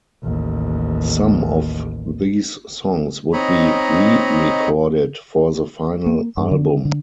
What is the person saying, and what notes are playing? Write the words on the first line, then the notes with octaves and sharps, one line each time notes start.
Some of these songs would be re-recorded for the final album.
A1 D#2
C4 D#4 C#5 D#5 A#5 B5
A#3
G2
D3
D3